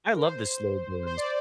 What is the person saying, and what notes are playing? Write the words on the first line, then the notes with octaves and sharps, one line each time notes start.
I love the slow burns.
A#4
C5
C5
D5